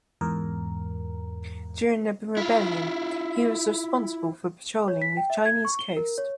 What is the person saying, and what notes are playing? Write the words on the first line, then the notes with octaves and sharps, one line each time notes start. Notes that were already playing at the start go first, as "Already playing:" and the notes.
During the rebellion, he was responsible for patrolling the Chinese coast.
E2 G#2 A#4
E4 F4
C#5
B6
G5
E5
G#6
C#6
G7
A#4
C#5